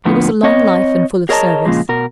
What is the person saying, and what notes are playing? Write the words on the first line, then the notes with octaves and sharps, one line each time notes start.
It was a long life and full of service.
F2 A2 D3 F3 B3
C4 C#5 D#5
G#4 A#4 C#5 D#5 A5 A#5
A#2 C#3 F3 G#3
B2 A#4